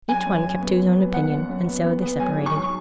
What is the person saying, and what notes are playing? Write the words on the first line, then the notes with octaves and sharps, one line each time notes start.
Each one kept to his own opinion, and so they separated.
F#2 G#5
F#2
F#2
B3
F#3
B3
B3 F#5
F#2
F#2
B3
B3
B3
F#3 G#5
G#2
C#6
F#3